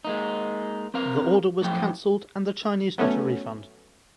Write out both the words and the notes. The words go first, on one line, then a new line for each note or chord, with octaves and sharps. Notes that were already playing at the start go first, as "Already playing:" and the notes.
The order was cancelled and the Chinese got a refund.
G#3 A#3 D#4
C4 A#4 F5
F#2 A2 F3 G5
F#3 A3 B3 C#4